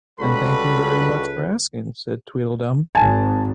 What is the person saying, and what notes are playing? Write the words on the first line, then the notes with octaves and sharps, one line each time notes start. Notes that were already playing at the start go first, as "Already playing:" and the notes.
And thank you very much for asking,’ said Tweedledum.
C#2 G3 F#4 A4 B4 B5
G#1 G#5 A5